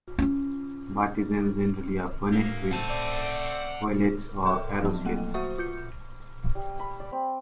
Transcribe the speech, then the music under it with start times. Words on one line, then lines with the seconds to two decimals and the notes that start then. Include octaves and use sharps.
Bartizans generally are furnished with oillets or arrow slits.
0.18 C#4 F4
2.32 D2 A2 A3 A#3
2.71 A3 C4 F#5 A5
2.90 D5
4.45 A4 A#4 E5 G5 C6 D6
4.82 F3 F#3 C4
5.05 F#3 A3 A#3 A4 F#5
5.34 F#4 C5 E5 F#5 C#6
5.58 F4 G6 C#7
6.55 G3
6.79 B5
7.00 D5
7.12 C4